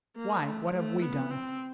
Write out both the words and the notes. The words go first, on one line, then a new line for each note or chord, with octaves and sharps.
"Why, what have we done?"
A#3
A3
A3
B3
C4